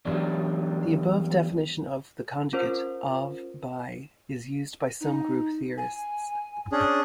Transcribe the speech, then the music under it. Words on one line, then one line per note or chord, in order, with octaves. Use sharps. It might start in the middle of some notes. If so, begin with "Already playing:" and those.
The above definition of the conjugate of by is used by some group theorists.
E2 F#3 G3 D4
C#4 F4 A#4 C5
D#4
G#5
C#4 D4 G#4